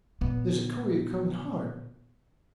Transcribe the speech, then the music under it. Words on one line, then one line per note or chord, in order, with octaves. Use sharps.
There's a courier coming--hard!
A#2 B3